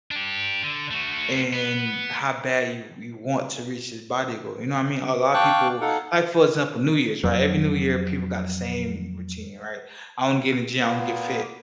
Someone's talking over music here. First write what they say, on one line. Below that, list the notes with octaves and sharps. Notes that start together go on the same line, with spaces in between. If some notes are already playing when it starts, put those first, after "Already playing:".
and how bad you you want to reach this body goal, you know what I mean? A lotta people, like, for example, New Year's, right? Every New Year, people got the same routine, right? "I wanna get in the gym, I wanna get fit."
D4 G4
D3
A3 F#4
B3
F5 G5 A5 C#6 D6 F#6
D#4 A4 F5 F#5
F2 F#3
A#2 A#3 B3